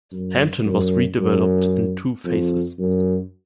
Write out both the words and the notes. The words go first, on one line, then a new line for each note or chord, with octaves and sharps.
Hampden was redeveloped in two phases.
F#2
F#2
F#2
F2
F#2